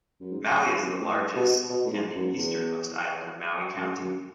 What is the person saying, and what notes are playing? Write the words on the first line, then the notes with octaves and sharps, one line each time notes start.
Maui is the largest and the easternmost island of Maui County.
F#2
G#2
F#2
E2
F#2
A2
B2
B2
A2
G#2
F#2
E2
F#2
F#2